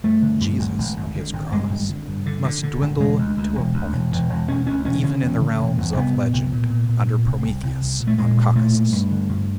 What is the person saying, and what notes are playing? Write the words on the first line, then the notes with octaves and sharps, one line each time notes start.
Jesus on his cross must dwindle to a point, even in the realms of legend under Prometheus on Caucasus.
G2 A3
D3
G2
G#1
G#1
G#1
D3
G#1
G2 G#3
G#1
D3
G2
D3
D3
D3
G#1
E1 G#3
D2
D2
E1
D2
E1
E1
E1
E1 C#4
D2 C#4
E1 C#4
D3 C#4
E1
D3
E1
E1
C2 B3
A#2
C2
A#2
A#2
A#2
A#2
C2
C2
C2
C2
A#2
A3
A#2 G#3
A#2
A#2 A3
A#2
G2
D3
G2